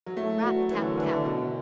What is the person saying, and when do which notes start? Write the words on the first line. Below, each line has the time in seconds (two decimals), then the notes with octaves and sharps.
Rap! tap! tap!
0.06 F#3
0.17 A2 A3
0.43 E3 F#3 D4 F#4
0.70 F#2 E3
0.84 D3
0.97 D3 E3 D4
1.11 D3
1.24 F#2 B2